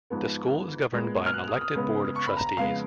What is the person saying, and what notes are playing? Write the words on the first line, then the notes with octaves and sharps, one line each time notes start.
The school is governed by an elected Board of Trustees.
G#2 F3 G#3 B3
A#2 G#3 B3
F6
F#6
D#6
D#6
C#3 G#3 B3
C#6
B5
A#5
A#5
F2 C#3 G#3 B3 F5